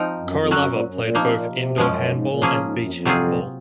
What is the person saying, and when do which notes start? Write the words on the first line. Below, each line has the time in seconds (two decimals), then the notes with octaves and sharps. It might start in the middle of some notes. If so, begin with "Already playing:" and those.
Koroleva played both indoor handball and beach handball.
Already playing: F3 C4 D#4 A#4
0.19 F#2
0.35 F2
0.51 F#2 F#3 C#4 F#4
0.67 A#2
0.83 F#2
0.99 A#2
1.15 C3 F3 A#3 D#4
1.30 A#2
1.46 C3
1.78 F#2 F3 G#3 C#4
2.05 A#2
2.10 G#2
2.26 A#2
2.38 D#3
2.42 C#3 F3 A#3 C#4 G#4
2.58 G#2
2.74 F#2
2.89 F2
3.05 C3 F#3 C4 F4 G#4
3.26 A#2